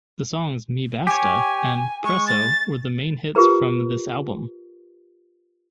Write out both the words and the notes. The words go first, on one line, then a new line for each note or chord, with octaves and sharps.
The songs "Me basta" and "Preso" were the main hits from this album.
G4 C#5 G#5
G#3 C#6
A6
F4 G4 A#4 B4 A#5